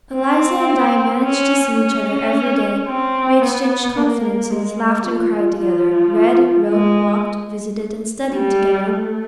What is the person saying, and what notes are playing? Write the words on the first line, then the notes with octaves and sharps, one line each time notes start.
Eliza and I managed to see each other every day; we exchanged confidences, laughed and cried together, read, wrote, walked, visited, and studied together.
C4
C#4
C#4
C4
B3
A#3
G#3
F3
F3
G#3
G3
A3